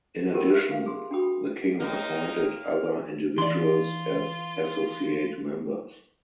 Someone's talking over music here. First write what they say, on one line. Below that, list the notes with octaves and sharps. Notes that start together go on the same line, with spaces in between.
In addition the King appointed other individuals as associate members.
F4 G4 A4 A#4 F#5 G5
G4 B4 D5 E5
F5
G#4 C6
D4 F#4 G5 B5 D#6
A2 A#3 D#4 F6
E3 F4 D5 C6